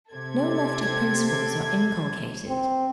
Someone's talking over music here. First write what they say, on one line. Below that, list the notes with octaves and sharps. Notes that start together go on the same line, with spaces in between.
No lofty principles are inculcated.
C3 A4 G#6
C4